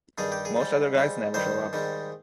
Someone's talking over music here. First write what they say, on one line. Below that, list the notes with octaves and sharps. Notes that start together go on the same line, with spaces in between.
Most other guys never show up.
G2 D#3 G3 G#4
G4
G#4
G#2 G3
G#2 G3
G2 D#3 G3 C5
G#2 D#3 G3